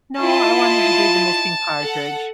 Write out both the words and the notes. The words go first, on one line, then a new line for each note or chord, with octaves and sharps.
No, I wanted to be the missing Partridge.
E4 F4 D#5 A5 C6
A4 F#5